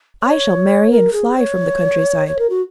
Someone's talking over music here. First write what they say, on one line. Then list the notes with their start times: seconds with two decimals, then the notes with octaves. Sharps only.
I shall marry and fly from the country-side.
0.22 C#5
0.90 A#4
1.12 G#4
1.35 C#5
2.26 C#5
2.38 A#4
2.49 F#4